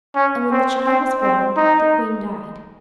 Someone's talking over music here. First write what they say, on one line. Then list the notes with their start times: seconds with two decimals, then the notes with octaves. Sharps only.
And when the child was born, the queen died.
0.16 C#4
0.51 C4
0.87 C4
1.21 C4
1.57 D#4